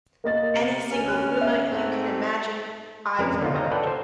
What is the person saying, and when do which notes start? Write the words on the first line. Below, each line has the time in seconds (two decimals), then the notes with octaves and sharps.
Any single rumor you can imagine, I've heard.
0.24 A#3 D#5 A6
0.54 C3 C#7
0.91 D2 C#4 F6
1.08 F#6
1.41 E5
1.70 G#2 A3 C4
3.19 F2 G#3 C#4 A#4 B4
3.41 D3 B3 D#4 F4
3.54 C5 C#5 D#5 F5 G5 A#5
3.71 A4 B4 D5 F#5 G5
3.87 C5